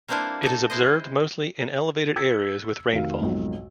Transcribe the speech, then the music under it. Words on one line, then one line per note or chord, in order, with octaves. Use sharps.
It is observed mostly in elevated areas with rainfall.
G3 A#3 C4 D4 E4 F4
D#4 A4
G#3 E4 C5 D#5
E6 G#6 A6 B6 C#7
F1 D#3 F#4 F5
B1 F2 G#2